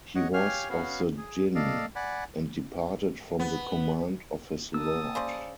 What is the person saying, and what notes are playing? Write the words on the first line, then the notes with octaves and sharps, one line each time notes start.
He was of the jinn and departed from the command of his Lord.
C#5 D#5 F#5
G4 C#5 F5 G#5 F6
B3 C#4 F#4 F5
G#4
A4 D5 D#5 F5
D5 F#5 G#5 B5
B3
A#3 A5 D#6 E6
C#3 C5 D5